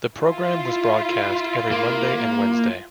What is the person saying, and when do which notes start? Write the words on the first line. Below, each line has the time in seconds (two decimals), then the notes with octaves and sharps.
The programme was broadcast every Monday and Wednesday.
0.17 E4 F4
1.72 A#3